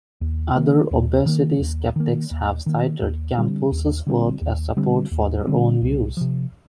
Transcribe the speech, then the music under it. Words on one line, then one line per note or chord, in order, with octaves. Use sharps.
Other obesity skeptics have cited Campos's work as support for their own views.
D#2
D#3 A#3
D#2
D#3 A#3
D#2
D#3 A#3
D#2
D#3 A#3
D#2
D3 G3 C4
D#2
D3 G3 C4
D#2
D3 G3 C4
D#2
D3 G3 C4
C2
C3 F3